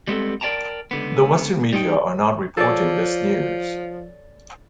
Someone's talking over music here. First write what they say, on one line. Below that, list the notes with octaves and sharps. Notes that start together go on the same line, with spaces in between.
The Western media are not reporting this news.
G3 G#3 B3 C4 G#4 A4
A#4 D5 E5 G5 A5 A#5
C#2 D3 B3
G3 D#4 G5
F3 A4 C#5 D5